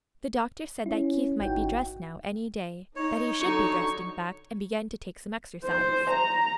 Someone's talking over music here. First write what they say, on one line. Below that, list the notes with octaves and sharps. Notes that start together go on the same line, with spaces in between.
The doctor said that Keith might be dressed now, any day--that he should be dressed, in fact, and begin to take some exercise.
C#4 E4
G#1 E3 D#4 F#4 G5
D#4 C#5
D3 F#3 D#4 C#6
C5
A#5